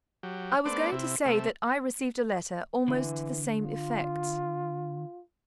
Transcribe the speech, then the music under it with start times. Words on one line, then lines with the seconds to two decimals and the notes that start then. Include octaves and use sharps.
"I was going to say that I received a letter almost to the same effect."
0.23 F#3 G4
0.65 A3 B3 D4 C5 D5
0.92 C3 E4
1.25 C3 A3 E5
2.88 D3 E3
3.61 F4